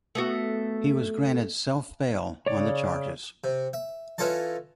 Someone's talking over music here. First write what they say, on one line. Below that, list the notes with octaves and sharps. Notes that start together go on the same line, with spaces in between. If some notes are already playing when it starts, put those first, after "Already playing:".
He was granted self bail on the charges.
A3 B3 F#4
C#3 C#5 D5
C3
E5
E3 C#4 F4 A4 D#5 A5